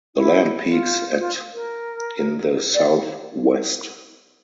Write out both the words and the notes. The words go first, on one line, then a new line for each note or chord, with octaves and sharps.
The land peaks at in the south west.
E4
F4
F4
A#4
D5